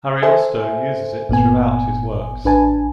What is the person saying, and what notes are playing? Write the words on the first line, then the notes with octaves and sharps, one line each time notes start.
Ariosto uses it throughout his works.
A4 C5 E5 G#5
G1 A#2 B3 G#5
A1 D4 B4 G#5 A5